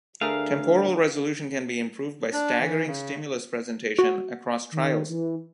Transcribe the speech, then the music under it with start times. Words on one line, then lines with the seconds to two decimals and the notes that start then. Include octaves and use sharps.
Temporal resolution can be improved by staggering stimulus presentation across trials.
0.21 D2 A3 G#4 A#4 F5
2.33 D4
2.60 E3
2.87 C#3
3.99 F#4
4.72 D#3
5.09 E3